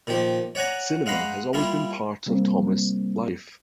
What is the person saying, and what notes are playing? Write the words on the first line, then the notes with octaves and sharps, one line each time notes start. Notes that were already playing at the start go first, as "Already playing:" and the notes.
Cinema has always been a part of Thomas' life.
A#2 D#3 F3 G4
C#5 D5 F#5 G#5 A#5
G#3 F5 F#5 A#5 B5
G3 A#3 E4 F4
C3 G3 A#3 C4